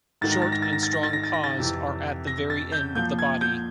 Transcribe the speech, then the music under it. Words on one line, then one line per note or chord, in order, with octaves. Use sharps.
Short and strong paws are at the very end of the body.
G#2 D#3 A6
A#6
A6
A#6
A6
A#6
A6
A#6
A6
A#6
A6
A#6
A6
F2 C3 E3
A#6
A6
G6
A#2 F3 G6
G#6
G6